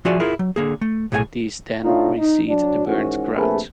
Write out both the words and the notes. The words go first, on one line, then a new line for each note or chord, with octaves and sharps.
These then reseed the burnt ground.
F3 F4 F#4 G#4 D5 E5
E4 F4 G#4 A#4
F#3
D3 A#3 G#4
A3
B1 A2 A3 G#4 E5 G#5
A2 D4 D#4 F4
D#4
F#3 D4
G#2 D#3 E3 C#4 F#4
A#1 C3 A3 G#4 A#4 B4